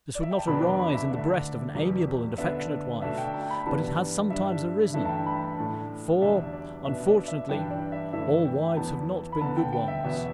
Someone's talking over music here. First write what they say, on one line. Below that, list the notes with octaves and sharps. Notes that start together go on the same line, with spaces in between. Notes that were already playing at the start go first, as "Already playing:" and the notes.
This would not arise in the breast of an amiable and affectionate wife, but it has sometimes arisen; for, unfortunately, all wives have not been good ones.
D5
E5
G5
A5
E2 B2 B3 D4 B5
D6
B5
E5
D2 D3 A3 D4 E5
E2 B2 G3
D2 D3 B3 D4 E5
B2 A3 D4 E5
G5
A5
B5
G2 E3 G3 B3 A5
G2 G3 D4 E5
G2 E3 A3 D4 E5
A5
G5
B5
A5
A2 A3 D4 A5
E2 B2 G3 D4 E5
D5
B2 B3 D4 E5
D5
E5
G2 E3 G3 D4 G5
D5
E5
G2 E3 A3 D4 E5
G5
E2 E3 B3 A5
B5
D2 D3 B3 A5
G5
G5
E5
E2 B2 B3 E5